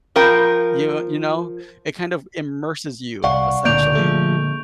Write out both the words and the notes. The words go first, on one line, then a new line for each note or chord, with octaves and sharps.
Y you know? It kind of immerses you, essentially.
F3 A#4 G5
C2 D5 F5 F#5 C#6
C#2 A#2 D3 A#3 D5 G6 D7 F7
F3 G#3 A3